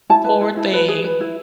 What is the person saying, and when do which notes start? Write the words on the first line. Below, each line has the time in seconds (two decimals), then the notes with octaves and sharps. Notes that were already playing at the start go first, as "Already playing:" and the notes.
Poor thing,
0.10 E4 A5
0.24 B4 A5
0.41 E4
0.57 E4
0.73 B4
0.88 G#4
1.04 B4
1.20 E4